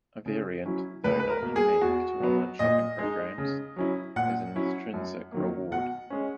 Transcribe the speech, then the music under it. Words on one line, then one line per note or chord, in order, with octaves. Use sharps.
A variant, though not unique to online shopping programs, is the intrinsic reward.
C#3
F#3 C#4 E4
C#2 B4
B4
A#4
B2 A#3
G#4
E2 F#4
B2 F#3 B3
A#2 D#5
G#3 D#4
C#3
F#3 C#4 E4
A#2 F#5
F#3 C#4 E4
F#2
D#3 F#3 A#3
B2 F#5
G#3 C#4